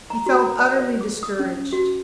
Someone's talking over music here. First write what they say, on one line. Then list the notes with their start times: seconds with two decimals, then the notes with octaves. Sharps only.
He felt utterly discouraged.
0.10 A#5
0.26 F#4
0.39 A#5
0.59 D5
0.79 C#5
1.01 D6
1.23 D#6
1.39 C#4
1.73 F#4